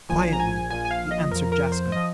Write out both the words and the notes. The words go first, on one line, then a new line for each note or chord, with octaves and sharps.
Quietly be answered Jaska.
A#1 A#2 F3 G#5
A#5
G#5
A#1 A#2 F3 G#5
G#5
F5
D#5
F2 F3 A#4
A#4
C5
F3 D#5